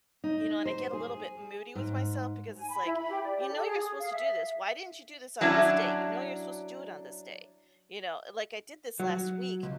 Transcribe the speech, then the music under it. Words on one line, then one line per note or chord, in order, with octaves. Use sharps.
You know, and I get a little bit moody with myself because it's like, "You know you're supposed to do this. Why didn't you do this on this day? You know you're supposed to do it on this day." You know, it like, "I did this last week."
D#4
C5
G#4
G#2
G#5
B5
E4
B5
G4
D5
G4
A4
G#4
D#6
F5
E5
F#3 C#4 D4 E4
F#3
C#2